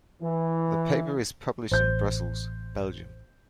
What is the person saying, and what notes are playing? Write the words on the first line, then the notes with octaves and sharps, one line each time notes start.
The paper is published in Brussels, Belgium.
E3
A1 C5 G6